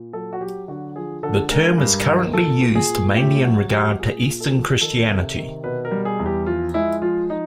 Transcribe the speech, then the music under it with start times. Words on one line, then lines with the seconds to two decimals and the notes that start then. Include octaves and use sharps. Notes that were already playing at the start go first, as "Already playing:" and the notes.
The term is currently used mainly in regard to Eastern Christianity.
Already playing: A#2
0.13 F#3 A4
0.33 F#4
0.41 F#3 G4
0.68 D3 F#4
0.96 F3 G#4
1.23 D3 A4
1.51 G#3 A#4
1.78 G2
2.06 D#3
2.34 A#2 A4
2.61 A#2
2.75 G#4
2.88 A#2
3.16 A2 G4
3.44 F#3 F#4
3.71 F#3 G4
3.99 A#2 G#4
4.26 A#2
4.40 A4
4.54 F3
4.81 D#3 A4
5.09 C3
5.36 D#3
5.64 B2 B4
5.85 A#4
5.91 G3
6.05 G#4
6.20 E2
6.26 G4
6.46 F3 F4
6.74 G#3 E4
7.02 F3 F4
7.30 F3 D#4